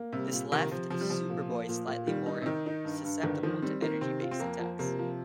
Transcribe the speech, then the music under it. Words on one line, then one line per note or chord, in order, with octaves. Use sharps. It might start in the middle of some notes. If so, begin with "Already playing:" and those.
This left Superboy slightly more susceptible to energy-based attacks.
Already playing: A#3
C3 G3
A#2
C3 D#3
C3 F3
C3 F3
G3
C3 F3
A#2
A#3
A#2
A#2
D#3 G3
D#4
C3
D#3 D#4
D#4
G2
G2
G1 D#3
D#3 F3
G3 C4
D#3 A#3
C3 C4
F4
C4
F2 A#3
F3
C3 A#3
F3